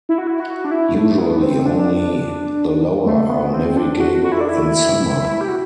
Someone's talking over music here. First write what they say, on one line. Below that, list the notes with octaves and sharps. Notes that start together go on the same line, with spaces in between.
Usually only the lower are navigable in summer.
E4
F#4
E4
F#4
D4
E4
A3
B3
C4
D4
A3
B3
C4
D4
F#4
F#4
E4
D4
E4
G4
F#4